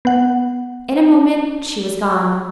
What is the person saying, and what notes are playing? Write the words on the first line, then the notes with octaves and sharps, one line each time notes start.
In a moment she was gone.
B3 F#5